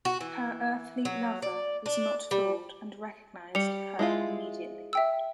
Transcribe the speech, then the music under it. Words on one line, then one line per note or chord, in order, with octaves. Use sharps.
Her earthly lover was not fooled and recognized her immediately.
F#4
E3
F#3
D5
D4
G3
G3 C#7 F7
G#3 E4 F4
E5 G5 E6